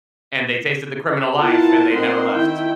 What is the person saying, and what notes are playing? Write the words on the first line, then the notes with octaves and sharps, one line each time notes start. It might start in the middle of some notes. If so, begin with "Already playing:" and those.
and they tasted the criminal life and they never left.
B3 E4 F4 A#4 F#5 A5
C4 D#4 A#4 F#5 C6
D#3 E4 G5